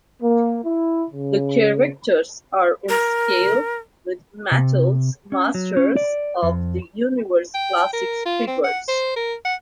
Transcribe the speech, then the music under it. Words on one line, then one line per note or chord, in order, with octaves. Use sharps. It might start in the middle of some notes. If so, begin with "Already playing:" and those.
The characters are in scale with Mattel's Masters of the Universe Classics figures.
A#3
E4
C#3
A#4
C3
C#4
F#3
C#4
D5
F2
G5
A#4
F4
C4
F#5
C5
A#4
F#5